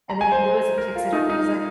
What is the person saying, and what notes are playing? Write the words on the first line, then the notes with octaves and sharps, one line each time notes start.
and then he goes and picks it up and he's, like,
A#5
G#5
C5
A#4
F4
D#4
D#4